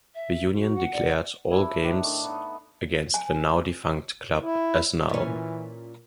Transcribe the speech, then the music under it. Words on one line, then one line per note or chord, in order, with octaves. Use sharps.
The union declared all games against the now defunct club as null.
E5
D#4 F#4
F#5
D5
D4 E4
A2 D#3 D4
A3 D4
B3 D#4 D#5
G#5
E4
A#2 E3 C#4